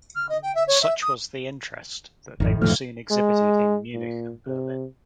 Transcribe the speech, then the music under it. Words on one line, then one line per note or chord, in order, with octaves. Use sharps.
Such was the interest that they were soon exhibited in Munich and Berlin.
F6
D#5
G5
E5
C#5
E5
D#6
G#1 F2 A2 D#3
F#1 D2 F3 A3 F6
G#3
A#2
C3